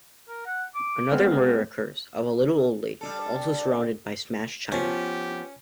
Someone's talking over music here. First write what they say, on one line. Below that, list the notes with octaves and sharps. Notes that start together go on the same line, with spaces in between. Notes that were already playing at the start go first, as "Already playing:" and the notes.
Another murder occurs, of a little old lady, also surrounded by smashed china.
A#4
F#5
D6
G#3 B3 C4 F5
G3 D4 A4
F3 B3 C#4 G4